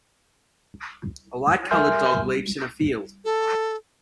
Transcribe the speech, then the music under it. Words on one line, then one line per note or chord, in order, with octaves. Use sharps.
A light colored dog leaps in a field.
A#4 E5 G#5 C6 F6 G6
A4